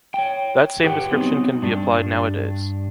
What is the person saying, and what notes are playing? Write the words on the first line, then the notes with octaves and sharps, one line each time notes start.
That same description can be applied nowadays.
C#5 G5
G4 B4 F#5 G5
F#3 B3 C4 D#4
G2 D4